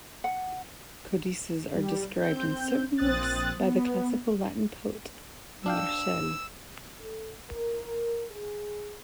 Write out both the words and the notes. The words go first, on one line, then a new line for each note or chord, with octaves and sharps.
Codices are described in certain works by the Classical Latin poet, Martial.
F#5
G3
C4 G6
A#1 C4 D#6 F#6 A6
B3
D4 F5 G5 E6
A4
A#4
G#4